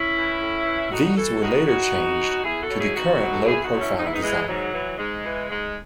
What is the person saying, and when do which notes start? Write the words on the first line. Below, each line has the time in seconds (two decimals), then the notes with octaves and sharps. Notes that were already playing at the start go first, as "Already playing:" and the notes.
These were later changed to the current low-profile design.
Already playing: C#4 E4
0.15 E3
0.40 A2
0.65 E3
0.91 A2 D#4 F#4
1.16 E3 F#4 A4
1.41 A2 D#4 F#4
1.67 E3 D#4 F#4
1.93 E2
2.18 B2 F#3
2.44 E2 E4 G#4
2.61 F#4 A4
2.69 B2 F#3
2.77 E4 G#4
2.95 E2 D#4 F#4
3.20 B2 F#3
3.33 A4
3.45 E2 E4 G#4
3.62 D#4 F#4
3.71 B2 F#3
3.79 C#4 E4
3.96 G#2 D#4
4.04 E4
4.12 B3 D#4
4.22 E3 G#3
4.47 G#2 F#3
4.73 E3
4.98 G#2 G#3
5.24 E3
5.49 G#2 G#3